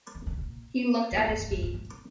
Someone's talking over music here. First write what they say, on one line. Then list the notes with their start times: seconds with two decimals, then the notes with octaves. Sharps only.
He looked at his feet.
0.15 D#3
0.27 C#3
0.38 A#2
1.12 G#2
1.17 A#2
1.28 G2
1.40 G#2
1.51 G2
1.63 G#2
1.74 A#2